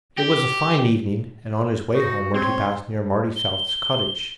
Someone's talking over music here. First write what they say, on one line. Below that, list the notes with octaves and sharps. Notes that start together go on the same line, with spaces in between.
It was a fine evening, and on his way homeward he passed near Marty South's cottage.
G4
D#4 F#4
C4 C#5 C6
G7